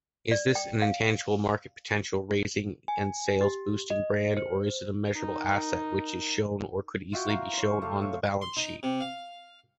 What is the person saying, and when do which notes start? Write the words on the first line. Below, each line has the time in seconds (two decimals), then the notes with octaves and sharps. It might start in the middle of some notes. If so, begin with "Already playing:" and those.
Is this an intangible market potential raising and sales boosting brand or is it a measurable asset, which is shown or could easily be shown on the balance sheet?
0.31 D5
0.55 G5
0.82 F5
2.88 G#5
3.41 G4
3.90 D#5
4.37 C5
5.15 D#4 A#4
7.13 F4 F#4 E5 G5
7.25 E4 C5 F5 A#5
7.53 C5 C#5
7.82 A3 G4 F5
8.02 C#5
8.42 C6
8.57 D#4
8.83 C3
9.01 F5